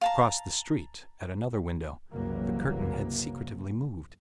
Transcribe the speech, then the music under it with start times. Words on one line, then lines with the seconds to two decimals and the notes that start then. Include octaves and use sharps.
Across the street, at another window, the curtain had secretively moved.
0.01 F5 A5 A#5
2.12 F#1 C2 C3 E3 F#3 A#3